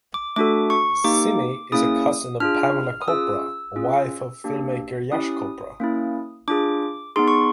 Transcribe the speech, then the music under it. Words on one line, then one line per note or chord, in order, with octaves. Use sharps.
Simi is a cousin of Pamela Chopra, wife of film-maker Yash Chopra.
D6
A3 D4 F#4 A4 D6
C#6
A#3 D#4 G4 D6
A#3 C#4 E4 G#4 D#6
D4 F4 G#4 F6
D#6
C#4 F4 G#4 E6
C#4 F4 G#4
A#3 D4 G4
C#4 E4 G4 D#6
A#3 C#4 E4
D4 F4 G#4 D6
B3 D#4 G#4 C6
C#6